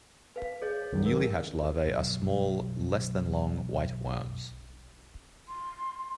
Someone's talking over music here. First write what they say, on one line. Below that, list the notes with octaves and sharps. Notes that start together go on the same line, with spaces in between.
Newly hatched larvae are small, less than long, white worms.
B4 F5
G#4 C#5 D#5
C#2 F#2 D#3
A#4
B1 F#2 F#3
C6